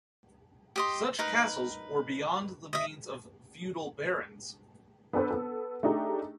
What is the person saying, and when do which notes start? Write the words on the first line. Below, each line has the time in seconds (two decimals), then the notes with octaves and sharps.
Such castles were beyond the means of feudal barons.
0.76 G4 D#5 C6
1.19 D#4 A#4 B4
2.73 D#5 E5
5.13 B3 D4 A4 B4 C5
5.31 B3 A4
5.83 A3 D4 D#4 G4 G#4